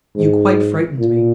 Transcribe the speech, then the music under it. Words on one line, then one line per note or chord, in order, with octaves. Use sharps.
You quite frightened me.
G#2
A#2